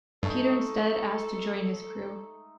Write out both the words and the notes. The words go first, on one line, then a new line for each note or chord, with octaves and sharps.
Peter instead asks to join his crew.
G2 G#3 A3 D#4 A4